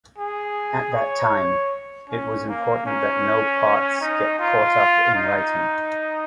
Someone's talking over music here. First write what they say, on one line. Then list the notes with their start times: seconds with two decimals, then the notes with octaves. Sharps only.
At that time, it was important that no parts get caught up in writing.
0.18 G#4
0.95 C#5
2.10 C#4
2.48 A#3
2.86 C#4
4.01 D#4
4.39 F4
5.15 D#4